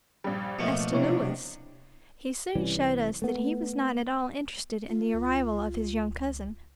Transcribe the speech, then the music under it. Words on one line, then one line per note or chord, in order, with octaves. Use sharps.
As to Louis, he soon showed us that he was not at all interested in the arrival of his young cousin.
A#1 G2 G3
A1 B2 F3 A3 A#3 C#7
C3 D4 E4 C#5
C2 E3 G3 C#4
A3 B3
F4
C#2